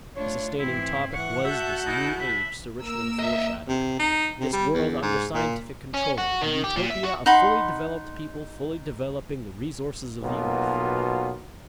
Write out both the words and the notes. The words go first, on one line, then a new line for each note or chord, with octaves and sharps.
The sustaining topic was this New Age Sir Richmond fore shadowed, this world under scientific control, the Utopia of fully developed people fully developing the resources of the earth.
A3 D4 F4 C#5
G#2 E3 C4 E4
E3 F#5 C#6
F#4 E5 A5 F#6 G6
D#4 E4
E5 B5
A#3 A#4 E6
D#5 E5
C3
D#4
C3
G3
E2
G#2
A#2
C#4
F#4
D#3
G4
A#2
E5
F#4
D#4 F#5 B5 C6
B1 B2 A#3 B3 F4